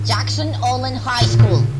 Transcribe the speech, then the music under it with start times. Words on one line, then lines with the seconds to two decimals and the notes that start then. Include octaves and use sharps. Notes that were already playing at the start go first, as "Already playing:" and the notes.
Jackson-Olin High School.
Already playing: G#2
1.21 A#2
1.39 A#2
1.55 C#3